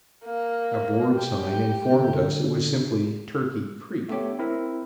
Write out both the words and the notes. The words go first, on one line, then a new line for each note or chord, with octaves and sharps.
A board sign informed us it was simply Turkey Creek.
A#3
G4
D3
A3 B3 D4 G4 C#5
C4 E4 A#4